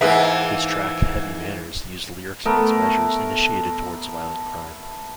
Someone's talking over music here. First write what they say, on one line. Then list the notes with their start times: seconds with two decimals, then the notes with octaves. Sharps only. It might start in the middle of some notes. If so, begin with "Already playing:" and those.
His track "Heavy Manners" used lyrics against measures initiated towards violent crime.
0.01 G#2 E3 A#3 G#4 B4 E5
2.46 A3 B3 A#4